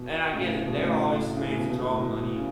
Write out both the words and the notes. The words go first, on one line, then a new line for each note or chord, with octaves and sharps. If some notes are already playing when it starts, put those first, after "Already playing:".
And I get it, they're all just made to draw money,
Already playing: B2
A2 C#3
B2
A2 C#3
A2
A2 C#3
C#3
B2
B2
A2
B2
B2
C#3